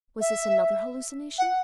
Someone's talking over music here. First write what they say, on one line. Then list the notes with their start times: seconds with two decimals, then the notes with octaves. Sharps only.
Was this another hallucination?
0.20 E5
1.38 F#5